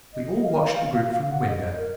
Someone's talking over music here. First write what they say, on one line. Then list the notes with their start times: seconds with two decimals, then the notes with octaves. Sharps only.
We all watched the group from the window.
0.14 D#5
0.44 F5
1.32 F#5
1.47 D#5
1.62 D#5
1.76 A#4